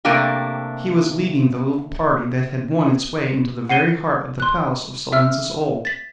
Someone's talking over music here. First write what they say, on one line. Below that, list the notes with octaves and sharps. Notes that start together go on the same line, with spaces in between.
He was leading the little party that had won its way into the very heart of the palace of Salensus Oll.
C3 A3 A#3 D4 G4
F#5 C7 D#7 G7
C6 F#6
E5 E6 F6
A6 B6